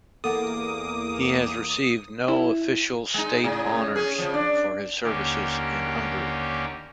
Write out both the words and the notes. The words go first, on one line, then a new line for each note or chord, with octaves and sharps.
He has received no official state honours for his services in Hungary.
E2 A#3 A4 F#5 D6 D#6
E4
G#3 D#4
A2 C#3
C#4 G#4
C#3 F3
D4
D#2 D3 A#3 C#4 G4